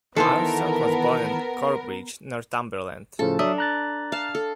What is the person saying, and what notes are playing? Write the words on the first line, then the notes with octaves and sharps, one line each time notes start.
Armstrong was born in Corbridge, Northumberland.
D#3 E3 B3 A4 A#4 C5
A2 C#3 F3 A4
F#3 D4 E5 D#6
A#5 F#6 A6
F5 A5
A4